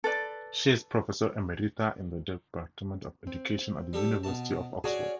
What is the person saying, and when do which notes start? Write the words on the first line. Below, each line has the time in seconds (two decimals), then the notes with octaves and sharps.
She is Professor Emerita in the Department of Education at the University of Oxford.
0.04 A4 B4 D5
3.27 C4
3.93 G3 G4 A4
4.23 B2 A5
4.84 C#4 F#4 G#4 C#5 D5